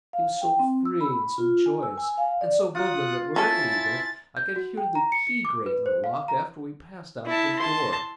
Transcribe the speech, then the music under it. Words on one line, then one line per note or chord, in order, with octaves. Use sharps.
He was so free, and so joyous, and so bubbling, that wherever we went I could hear the key grate in the lock after we passed out of the door.
F5
G5
C4
E6
B5
F4
G#5
E6
G#5
F5
D5
F4 F#5 D#6
C#4 E4 A4 G#5 A5 A6
G6
F#4
G5
A#5
C#7
C#7
D6
B4
C5
F5
A#5
E4 A5
A5 C6